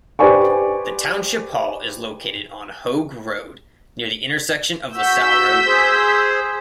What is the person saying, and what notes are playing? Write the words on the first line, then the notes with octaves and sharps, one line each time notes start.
The township hall is located on Hoague Road, near the intersection of LaSalle Road.
G4 B4 C5 D5 G#5 C#6
F#4 E6 G6 B6
G#4 C5